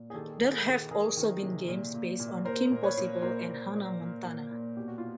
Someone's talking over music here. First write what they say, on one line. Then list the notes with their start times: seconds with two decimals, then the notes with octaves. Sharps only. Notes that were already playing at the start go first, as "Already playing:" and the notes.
There have also been games based on Kim Possible and Hannah Montana.
Already playing: A#2
0.10 G#4
0.14 D#3 G4 A4
0.39 D#3
0.53 G#4 A#4
0.66 D#3
0.91 D#3 G#4 A#4
1.17 D#3
1.42 C3
1.68 A#2
1.94 A#2
2.20 A#2
2.45 A#2 A#4 C5
2.71 A#2
2.83 B4 C#5
2.97 A#2
3.22 A#2 A#4 C5
3.48 A#2
3.73 A#2
4.00 A#2
4.26 A#2
4.51 A#2
4.77 B2 G4
4.88 F#4
4.98 F4